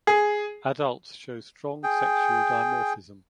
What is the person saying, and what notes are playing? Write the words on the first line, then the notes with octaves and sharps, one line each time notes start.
Adults show strong sexual dimorphism.
G#4
G#4 G5